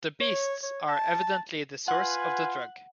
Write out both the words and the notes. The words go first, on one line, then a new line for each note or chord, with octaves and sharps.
The beasts are evidently the source of the drug.
C#5
C#5
A5
F4 B4 F#5 G#5